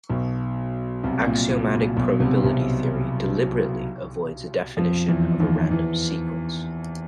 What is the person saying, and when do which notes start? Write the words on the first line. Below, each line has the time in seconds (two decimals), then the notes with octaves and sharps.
Axiomatic probability theory "deliberately" avoids a definition of a random sequence.
0.09 B1 B2
1.04 C2 C3
1.27 A#2
1.50 A#2
1.74 A#2
1.97 B1 B2
2.19 C2 C3
2.43 C2 C3
4.77 F2 F3
5.08 E2 E3
5.40 D#2 D#3
5.71 E2 E3